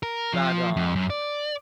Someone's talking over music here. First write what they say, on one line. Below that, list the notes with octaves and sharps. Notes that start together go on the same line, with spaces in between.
but, um,
A#4
F3
F2
F#2
D5